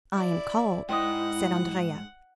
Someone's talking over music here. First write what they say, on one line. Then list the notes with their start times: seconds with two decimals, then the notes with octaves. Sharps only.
"I am called," said Andrea.
0.13 E4 D5
0.89 G#2 E4 C5 D#5 F#5 G5 D#6